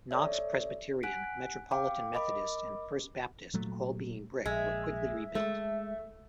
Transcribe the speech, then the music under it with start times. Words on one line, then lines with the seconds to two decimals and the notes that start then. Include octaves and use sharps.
Knox Presbyterian, Metropolitan Methodist and First Baptist, all being brick, were quickly rebuilt.
0.11 A4 C#5 D5 E5
1.03 F#5 G#5 F#6 B6 D7
1.71 F5 G5 D6
2.14 A#4 D#5 B5 D6
3.54 A#2 F#3 A3
4.46 A#1 G#3 E5
5.35 G#3 A3